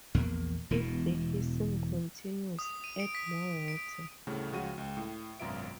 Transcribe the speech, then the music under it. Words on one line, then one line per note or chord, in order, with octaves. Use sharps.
If the hissing continues, add more water.
A#1 E2 A#3
E1 B2 E3
D#6
D#7
D7
B6
D7
D2 A2 C#3 G3 A3
C#2 C#3 F3 F#4 D#7
C#2
A2
G#1 F#2 B2 F4 E5 D7